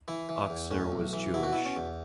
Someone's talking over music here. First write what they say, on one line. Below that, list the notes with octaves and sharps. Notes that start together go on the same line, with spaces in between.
Oksner was Jewish.
E3 E4
E3
E2
A2 C#4
B1
E3
B2 E4
F#4
B2 E4
C#4
E2